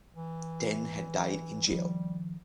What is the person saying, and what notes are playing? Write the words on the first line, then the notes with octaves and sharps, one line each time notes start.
Ten had died in jail.
E3
D#3 F3 G3